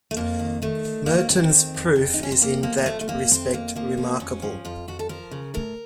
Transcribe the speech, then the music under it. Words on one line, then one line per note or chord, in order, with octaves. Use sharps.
Mertens' proof is in that respect remarkable.
A3
F2 A#3
D#3
D#3 A3
D#3
D#3 A#3
F2 C4
D#3
F2
F2
D#4
F2 C#4
C4
F2 A#3
F3 A#3
A#3
F2 A3
A3
F2 A#3
F2 C4
F2 A#3
F3 A#3
F3
F2 C#4
F3
F2 F4
F2 F#4
A4
F3 A#4
C#3
A2 A#4